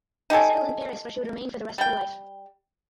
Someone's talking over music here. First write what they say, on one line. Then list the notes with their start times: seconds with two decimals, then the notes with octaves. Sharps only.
They settled in Paris where she would remain for the rest of her life.
0.30 D#4 G4 A4 G#5
1.78 G3 G5